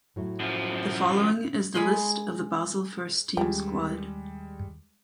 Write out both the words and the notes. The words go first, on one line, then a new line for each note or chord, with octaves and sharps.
The following is the list of the Basel first team squad.
A2 F#3 A3
F#2 F3
G#3 G#5 B5 C6
D#2 C#3 G3 G#3 G5